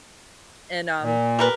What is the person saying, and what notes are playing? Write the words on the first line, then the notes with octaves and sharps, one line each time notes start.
and, um,
A#2
G3 A#4 B4